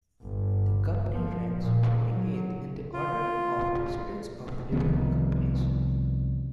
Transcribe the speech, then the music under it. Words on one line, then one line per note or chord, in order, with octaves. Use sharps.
The Company ranks twenty-eighth in the order of precedence of Livery Companies.
G1
F3
A#2
F#3
F4
C2 D#3 F3 B3